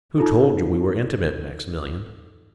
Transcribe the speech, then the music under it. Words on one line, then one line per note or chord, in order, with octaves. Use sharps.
"Who told you we were intimate, Maximilian?"
D#4 F4 A4